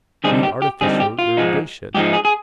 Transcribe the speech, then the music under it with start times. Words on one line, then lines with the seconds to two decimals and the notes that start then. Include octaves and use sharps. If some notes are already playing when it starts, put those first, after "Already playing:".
Need artificial irrigation.
0.24 D3 G3 C4 D#4 G#4
0.43 G4
0.62 G4
0.81 D3 G3 C4 D#4 G#4
1.00 G4
1.19 F4
1.37 G#2 F3 G#3 D#4
1.94 G#2 F3 G#3 D#4 G4
2.13 G#4
2.25 G#4